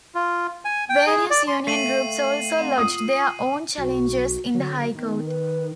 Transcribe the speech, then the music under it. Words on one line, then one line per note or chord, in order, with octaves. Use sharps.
Various union groups also lodged their own challenge in the High Court.
F4
G#5
G5
G#4
D5
C6
A3 E5 F5 G5 C7 D#7 F#7
C4 F5 F#5
F4 D#6
B1 F#4
D3 F#3
D#3 B3
B4